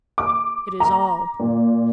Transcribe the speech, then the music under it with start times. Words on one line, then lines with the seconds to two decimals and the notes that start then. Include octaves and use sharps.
It is all.
0.18 D6
0.80 A#5
1.40 A#2